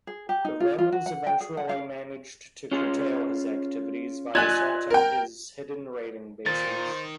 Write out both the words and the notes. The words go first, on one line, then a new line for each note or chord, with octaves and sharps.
The Romans eventually managed to curtail his activities by assaulting his hidden raiding bases.
G#4
G4
D#4
F4
F4
F#4
F#5
G5
G#4
F#5
F5
C#4 F4 G#4
F4 D5 D#5 G#5 F#6 G#6
A#4 G5
D#3 F4 A#4 C5 A6